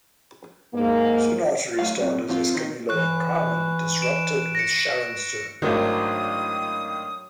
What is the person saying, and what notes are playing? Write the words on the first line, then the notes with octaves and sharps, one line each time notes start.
Soon after he starred as Escamillo in Carmen Disrupted with Sharon Stone.
G#2 A#3
F#2 A2 F5
F#2 C3
F3 C4 F4
D#3
E3 C#6 F#6
D7 E7
A#6 C#7
G#1 A2 D#3 F#3 D4 C5 D#6